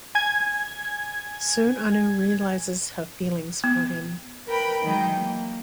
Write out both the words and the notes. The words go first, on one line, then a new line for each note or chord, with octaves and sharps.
Soon Anu realizes her feelings for him.
G#5 G#6
B3
A#4 B4 G5 B5
D#3 E3 F#3 G#3 D#5 G5
A#3